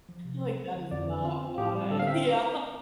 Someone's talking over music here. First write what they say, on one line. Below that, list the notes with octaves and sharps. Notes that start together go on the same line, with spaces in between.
Like, "That is not fine." Yeah.
F3
C3
C4
C4
D3
F2 D5
D3
C4 F4
C4
A2 G4
G3
D3 A4
F5
C4 E5